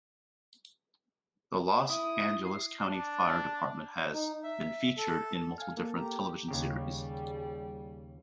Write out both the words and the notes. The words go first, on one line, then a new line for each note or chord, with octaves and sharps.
The Los Angeles County Fire Department has been featured in multiple different television series.
E4 D#6
C7
D4
D#4
E5
A4
F5 G#5 F6
A#3 A4
G4 A#5
D#2 C#3 G3 G4 G#4